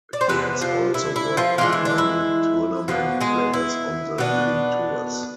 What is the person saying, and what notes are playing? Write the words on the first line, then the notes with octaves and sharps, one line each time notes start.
He has also worked with many tournament players on the leading tours.
D5
C5
C3 G#3 B3 D4 B4
F3 F4
E4
E4
F3 F4
E3 G#3 D4 F4
E4
D4
E4
B2 F3 B3 D4 F4
G#3 G#4
E4
B2 B3 D4